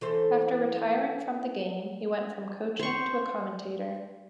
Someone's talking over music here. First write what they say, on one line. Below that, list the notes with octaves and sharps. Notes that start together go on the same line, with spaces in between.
After retiring from the game he went from coaching to a commentator.
E3 A4 C5
C5 C#6